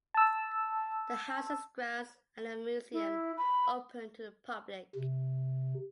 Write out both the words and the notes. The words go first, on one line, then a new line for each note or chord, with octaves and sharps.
The house and its grounds are now a museum open to the public.
A5 E6
E4
B5
C3